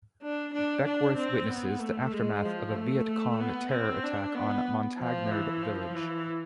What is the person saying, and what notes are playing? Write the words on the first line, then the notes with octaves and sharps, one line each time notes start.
Beckworth witnesses the aftermath of a Viet Cong terror attack on a Montagnard village.
D4
D4
D4
C4
B3
A3
G#3
F3
A3
A3
B3
C4
D4
B3
F3
E3
F3
E3